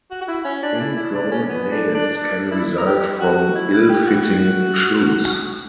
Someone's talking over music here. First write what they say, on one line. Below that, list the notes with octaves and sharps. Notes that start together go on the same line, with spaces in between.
Ingrown nails can result from ill-fitting shoes.
F#4
F#4
E4
C#4
D4
E4
E4
D4
C#4
B3
D4
D4
D4
E4
A#4
G4
F#4
E4
E4
G4
F#4